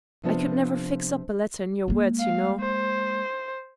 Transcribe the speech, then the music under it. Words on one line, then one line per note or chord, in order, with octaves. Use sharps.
I could never fix up a letter in your words, you know.
C3 F3 B3 D4 F4
G#3 A#3
F5
C5